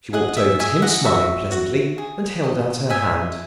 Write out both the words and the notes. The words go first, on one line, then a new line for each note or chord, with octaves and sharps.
She walked over to him, smiling pleasantly, and held out her hand.
G#4 D#5 F#5
E5
D#5 E5 G#5
D#5 F#5
F#4 E5
F#4
G#4
D#5
D#5 E5 G#5